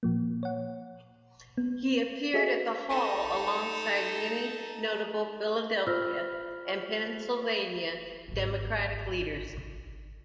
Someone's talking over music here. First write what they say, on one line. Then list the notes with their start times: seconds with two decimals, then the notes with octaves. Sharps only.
He appeared at the Hall alongside many notable Philadelphia and Pennsylvania Democratic leaders.
0.03 A#2 F3 A#3
0.43 C#5 F#5
1.58 B3
2.34 F#4 G#4 A4 D#5 E5 G#5
2.89 D#4 A4
5.87 F4 C5 B5 E6 F6 A#6
8.28 G#1 D3